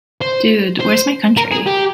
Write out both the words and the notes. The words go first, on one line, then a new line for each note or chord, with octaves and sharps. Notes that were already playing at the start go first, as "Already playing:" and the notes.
Dude, Where's My Country?
C5
C5
A#4
G#4
G4